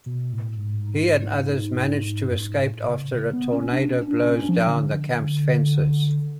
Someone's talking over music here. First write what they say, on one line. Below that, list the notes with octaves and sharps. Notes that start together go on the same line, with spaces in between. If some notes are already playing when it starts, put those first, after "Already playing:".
He and others manage to escape after a tornado blows down the camp's fences.
B2
A2
G#2
F#2
G#2
A2
C#3
C#3
B3
C#4
D4
C#4
D4
C#4
F3
D3